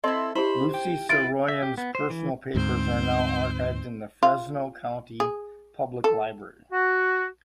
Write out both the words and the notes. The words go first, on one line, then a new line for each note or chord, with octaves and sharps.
Lucy Saroyan's personal papers are now archived in the Fresno County Public Library.
C4 E4 A4 D#5
E4 G4 C5 B5
G5
E4 F4 B4 A6 D7
E5
G4
B3
C5
E3
D2 G#2 C4 C5
F4
G#4
A4
F#4